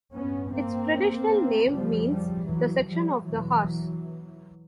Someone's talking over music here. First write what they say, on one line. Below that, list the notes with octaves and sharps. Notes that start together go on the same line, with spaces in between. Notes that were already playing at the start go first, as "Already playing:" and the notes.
Its traditional name means "the section of the horse".
G2 B3 C#4
A#3 C4
F2 C#3 F3 G3
F3 G3
E3 F#3
F3 G3
E2 B2 E3 F#3